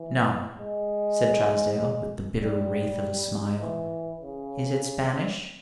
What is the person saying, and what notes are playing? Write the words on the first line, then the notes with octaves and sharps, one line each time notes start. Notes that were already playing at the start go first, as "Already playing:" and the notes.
"No," said Trysdale, with the bitter wraith of a smile--"Is it Spanish?"
Already playing: E3
G#3
G3
E3
C#3